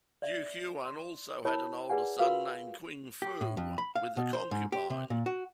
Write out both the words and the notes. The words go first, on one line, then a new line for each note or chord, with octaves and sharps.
Duke Huan also had an older son named Qingfu with a concubine.
D5 E5
C6
E4 A#4 C#5 A5 B5
G#4 B4 D5 F#5 G#5
F4 F#4 A#4 B4 F5
G4
A2
F2
B5
F5
B2
C5
G#2
G4
C3
A#2
F#4